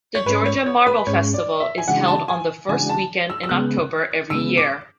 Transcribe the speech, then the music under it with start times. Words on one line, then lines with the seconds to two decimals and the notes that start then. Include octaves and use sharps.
The Georgia Marble Festival is held on the first weekend in October every year.
0.15 C#5
0.26 G#2 G#3 C#4 B4
0.46 C#5
0.66 C#5
0.87 B4
1.07 G#2 G#3 C#4 C#5
1.34 D5
1.60 E5
1.78 G#5
1.88 C#3 E3 G#3 D4 F#4 F#5
2.08 A5
2.28 G#5
2.69 C#3 E3 G#3 D4 F#4 G#5
2.90 A5
3.30 E6
3.43 E6
3.49 C#3 G#3 B3 F#6
4.30 C#3 G#3 B3 E6
4.58 D6